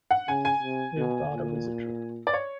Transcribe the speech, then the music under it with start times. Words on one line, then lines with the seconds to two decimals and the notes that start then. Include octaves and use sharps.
We've got a visitor!
0.11 F#5
0.28 C#3 G#5
0.45 G#5
0.62 C3
0.97 B2
1.31 A#2
2.27 D5
2.34 C#5